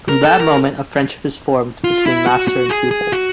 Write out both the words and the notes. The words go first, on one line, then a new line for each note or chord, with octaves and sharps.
From that moment a friendship is formed between master and pupil.
A#4
A4
A#4
F4
E4
F#4
F#4
G#4
G#4
F#4